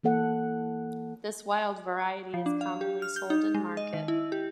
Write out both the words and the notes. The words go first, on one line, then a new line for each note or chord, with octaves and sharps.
This wild variety is commonly sold in market.
E3 A#3 A4 F#5
F3
D4
F5
G4
F6
G6
D#4
G#3
D#5
D#3
E4
G4